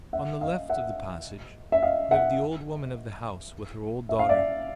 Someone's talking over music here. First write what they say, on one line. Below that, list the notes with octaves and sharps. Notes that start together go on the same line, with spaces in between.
On the left of the passage lived the old woman of the house with her old daughter.
E5 F#5
D#5 F5
E5 F#5
E5
D#5 F5
E5 F#5
E5
F5
D5 E5